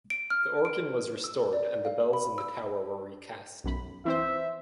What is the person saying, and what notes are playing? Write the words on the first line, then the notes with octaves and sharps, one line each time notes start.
The organ was restored and the bells in the tower were recast.
D7
F6
D7
E6
D5
F5
B5
E6
B1 F#2 B5
E3 C4 C5 E5